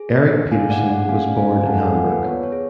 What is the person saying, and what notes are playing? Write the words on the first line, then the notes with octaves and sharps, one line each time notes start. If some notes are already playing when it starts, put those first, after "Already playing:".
Erik Peterson was born in Hamburg.
Already playing: G#4
D4
A3 F5 G#5
D5 F#5
G#4
D5 F#5
C#4 F5 G#5
G#4 F5 G#5
G#5
A4 F#5 A5
F5 G#5
F4 D5 F#5
B4
B3 C#5
C#5
G#4